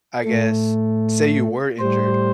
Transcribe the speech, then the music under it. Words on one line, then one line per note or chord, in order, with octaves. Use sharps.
I guess say you were injured,
A2 A3
A2 G3 C5